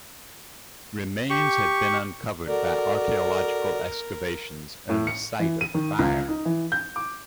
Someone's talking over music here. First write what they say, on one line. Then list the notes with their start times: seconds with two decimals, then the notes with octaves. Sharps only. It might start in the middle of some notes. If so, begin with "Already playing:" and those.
Remains have been uncovered by archaeological excavations on the site of the fire.
1.30 G4 C#6
2.48 F#4 A4 A#4 D5
4.89 A2
5.07 C#7
5.39 E3
5.61 D#7
5.74 D#3
5.99 C#2
6.28 D#4
6.45 E3
6.72 G6
6.96 D6